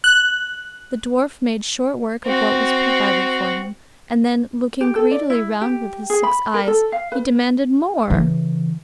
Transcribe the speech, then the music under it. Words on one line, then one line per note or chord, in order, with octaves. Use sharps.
The dwarf made short work of what was provided for him, and then, looking greedily round with his six eyes, he demanded more.
F#6
C4 F#4
G4
A4
D5
E4
G4
G#4
B5
A#4
A4
F5
B4
C#3 E3